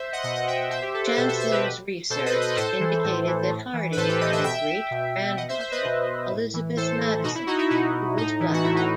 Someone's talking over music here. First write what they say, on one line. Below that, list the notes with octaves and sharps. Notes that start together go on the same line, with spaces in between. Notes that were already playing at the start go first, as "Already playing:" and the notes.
Chancellor's research indicated that Harding had a great-grandmother, Elizabeth Madison, who was black.
Already playing: C5 E5
D#5 F#5
B2 D#5 F#5
D#5 F#5
E5 G5
B2 C5 E5
G4
A4
B4
B2 A4 C5
C5 E5
C5 E5
G4 B4
B2
B2 A4 C5
B4 D#5
B4 D#5
A2 A4 C5
E3
A2
E3
A2
E3
B4
A2 A4 C5
G4 B4
E3 B4 D#5
C5 E5
B2 E5 G5
B2
B2 D#5 F#5
C5 E5
C5 E5
B4 D#5
B2
A2
E3
A2 A4 C5
E3
B2 D#4 F#4
E4
D#4 F#4
E4
B2 D#4 F#4
A2 D#4
E3
F#4
A2 E4
D#4